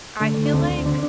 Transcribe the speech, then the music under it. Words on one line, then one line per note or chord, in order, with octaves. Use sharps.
I feel like,
D3 A3
D3
D4
D2 C4
D2
D3 D4